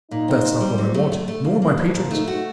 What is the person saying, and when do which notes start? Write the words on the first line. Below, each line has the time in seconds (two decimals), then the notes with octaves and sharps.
That's not what I want, nor my patrons.
0.11 A#2 D#4
0.28 C4
0.45 C4
0.60 G3
0.78 F#3
0.94 A3
1.12 A3
1.28 A3
1.45 A#3
1.62 A#3
1.78 F3
1.94 A#2
2.11 A3 D#4
2.28 F#4